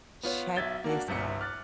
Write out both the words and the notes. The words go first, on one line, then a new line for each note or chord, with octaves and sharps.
Check this out.
B3 F4 C#5
B1 E5 G#6 A6 G7
A#3 D4 F#4
G1 C2 E5 C#7
D6 F6 F#6 A6